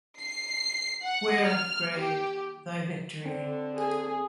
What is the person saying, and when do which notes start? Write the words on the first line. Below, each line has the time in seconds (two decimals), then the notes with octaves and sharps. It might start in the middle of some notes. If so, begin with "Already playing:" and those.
Where, grave, thy victory?
0.20 C7
1.03 F#5
1.46 F6
1.97 G4
3.26 D3 C4
3.76 G#4 A4